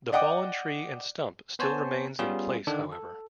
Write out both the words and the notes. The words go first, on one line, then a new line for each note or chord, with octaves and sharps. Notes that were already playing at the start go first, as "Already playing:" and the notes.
The fallen tree and stump still remains in place however.
D5 D#5 F#5 G5 D6
B3 C5 C#5 G#5 A5
G3 B3 C#4 F4 G#4
D3 D#3 D4 A4
A4